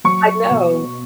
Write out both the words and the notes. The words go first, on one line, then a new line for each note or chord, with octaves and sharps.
I know.
F#3 C#6
B2